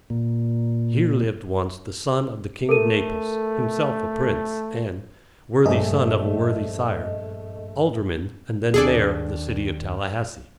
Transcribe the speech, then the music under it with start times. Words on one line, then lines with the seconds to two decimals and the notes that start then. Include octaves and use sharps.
Here lived once the son of the King of Naples; himself a Prince, and--worthy son of a worthy sire--alderman and then mayor of the city of Tallahassee.
0.10 A#2
2.69 A3 A4 A#4 D#7
5.66 A#1 G2 A3 D#5
8.74 D#2 D4 G#4 A4 D5